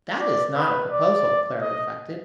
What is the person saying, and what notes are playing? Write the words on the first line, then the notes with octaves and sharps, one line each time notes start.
"That is not a proposal," Clara reflected.
D5
B4
D5
D#5